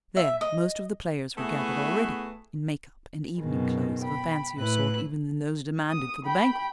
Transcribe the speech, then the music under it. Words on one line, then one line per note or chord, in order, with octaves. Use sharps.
There most of the players were gathered already--in make-up and evening clothes of a fancier sort even than those demanded for the banquet.
E5
D#5
A3 B3 E4 F#4 G#4 B4
F#2 B2 D#3 G#3
G5 B5
A2 E4 B4 F#6
D#6
G5 B5